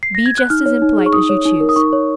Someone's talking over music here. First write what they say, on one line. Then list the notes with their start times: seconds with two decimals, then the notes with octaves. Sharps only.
Be just as impolite as you choose.
0.03 C7
0.15 A#6
0.26 G#6
0.38 F#6
0.50 D#4 F6
0.66 C#5
0.82 D#4
0.98 G#4
1.06 C#6
1.13 D#4 D#6
1.29 C#5
1.45 D#4
1.60 A#4
1.69 D#6
1.76 D#4 C#6
1.93 C#5